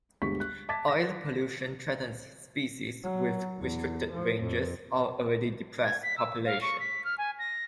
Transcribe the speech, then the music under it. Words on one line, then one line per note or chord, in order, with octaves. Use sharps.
Oil pollution threatens species with restricted ranges or already depressed populations.
G1 D2 G#3 G4 C#6 B6
F#6
A5 D6 G#6 A6 B6
A#6
F#3
E2
F3
F2
G#6
B6
E6
F5
C#6
B6
F6
G#5
A#6